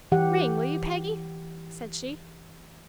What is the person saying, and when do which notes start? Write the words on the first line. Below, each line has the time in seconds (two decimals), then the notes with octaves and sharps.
"Ring, will you, Peggy?" said she.
0.12 E3 G4 F#5